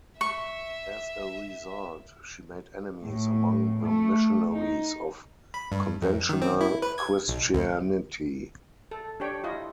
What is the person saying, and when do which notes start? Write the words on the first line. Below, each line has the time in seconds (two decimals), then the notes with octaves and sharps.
As a result, she made enemies among the missionaries of conventional Christianity.
0.21 E5 C#6
3.03 A2
3.84 A3
4.55 D#4
5.54 B5
5.72 G2
6.02 F2
6.29 D#3
6.42 C4
6.61 E4
6.82 B4
6.98 G#6
7.28 B1
7.54 D2
8.91 A4
9.20 D4 G4 C#5 G5
9.43 E4 F4 D#5